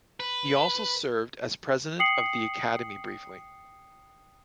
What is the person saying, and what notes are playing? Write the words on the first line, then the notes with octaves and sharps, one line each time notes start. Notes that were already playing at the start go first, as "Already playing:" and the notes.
He also served as President of the Academy briefly.
B4
G5 D#6 C7 C#7 F#7